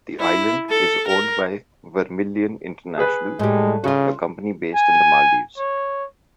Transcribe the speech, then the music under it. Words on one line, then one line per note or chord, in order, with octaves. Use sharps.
The island is owned by Vermilion International, a company based in the Maldives.
E4
A4
A#4
G#4 B4
A2 G3 G#3
C#3 F4 F#4
G#5
C#5